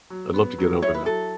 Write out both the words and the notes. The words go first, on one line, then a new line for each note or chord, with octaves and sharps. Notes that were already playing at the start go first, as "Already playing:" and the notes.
I'd love to get over that.
F#3
B3
F#3
E4 C#5
B4
F#3 A4